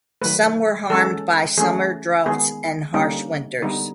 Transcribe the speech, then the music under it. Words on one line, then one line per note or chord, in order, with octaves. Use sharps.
Some were harmed by summer droughts and harsh winters.
D#3 F#3 A3 B4
E3 G#3 C#4 A4
E3 A3 C#4 G#4
D#3 G#3 B3 G#4
D3 G3 A#3 C#4 D#4
D3 G3 B3 D#4